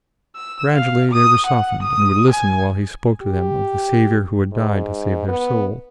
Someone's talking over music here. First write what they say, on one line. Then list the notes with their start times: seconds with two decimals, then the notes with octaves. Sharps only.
Gradually they were softened and would listen while he spoke to them of the Saviour who had died to save their souls.
0.36 E6
0.74 F5
1.12 D#6
1.46 F#5
1.83 D#6
2.31 G#5
3.22 G4
4.52 G#2
5.28 B3